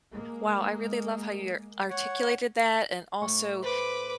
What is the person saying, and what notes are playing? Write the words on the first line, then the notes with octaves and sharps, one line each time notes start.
Wow, I really love how you're articulated that and also
G#3 A#3
C#5 F#5
A2 C#6
B4 C5 D6